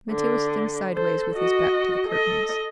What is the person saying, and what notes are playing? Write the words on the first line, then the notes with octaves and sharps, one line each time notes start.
Mitya was sitting sideways with his back to the curtains.
D3
A4 C5
F#4 D#5
A4 D#5